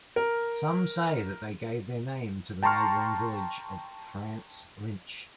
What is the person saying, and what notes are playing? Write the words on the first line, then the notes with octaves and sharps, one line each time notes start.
Some say that they gave their name to the neighbouring village of France Lynch.
A#4
G5 A5 A#5 C6 C#6 F6